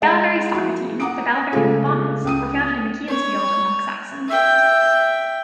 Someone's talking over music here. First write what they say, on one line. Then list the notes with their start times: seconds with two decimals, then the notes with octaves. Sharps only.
Bellavary's soccer team, the Bellavary Blue Bombers, were founded in McKeown's Field Knocksaxon.
0.02 G#3 G#4 D#5 F#5
0.53 F3 E4 F#4 G#4
1.00 F#5 A#5 D6 D#6 D7
1.52 C#3 G#3 A3 F4 G#4 A4
2.24 C#2 G5 D#6 D#7
3.08 C#5
4.28 E5 G5